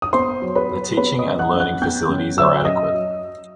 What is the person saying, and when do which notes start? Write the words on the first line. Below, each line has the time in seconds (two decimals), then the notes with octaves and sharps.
The teaching and learning facilities are adequate.
0.02 D#6
0.13 B3 C5 C6
0.42 F#3
0.56 B4 B5
0.69 F#3
0.97 B3 B4 B5
1.18 D#5 D#6
1.25 F#2
1.39 F#5 F#6
1.54 F#2
1.60 F#5 F#6
1.81 B3 G5 G6
2.09 F#2
2.37 F#3 E5 E6
2.65 F#2 D#5 D#6
2.94 F#3